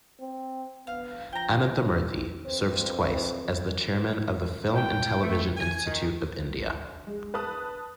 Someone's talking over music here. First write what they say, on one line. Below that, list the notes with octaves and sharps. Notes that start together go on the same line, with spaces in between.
Ananthamurthy served twice as the Chairman of the Film and Television Institute of India.
C4
B3 F5
F3 G5 A#5
F2 C4 B4 C5
G5
A3
G#5
D#3
G#3
B4 A5 D#6 F#6